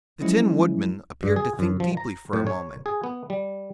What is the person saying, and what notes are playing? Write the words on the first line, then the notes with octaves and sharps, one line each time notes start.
The Tin Woodman appeared to think deeply for a moment.
F3 F#3 G#3 C#4 E4
G2
G#4
F#2
F3
A#5
A2
C#5
G#4
B3
G3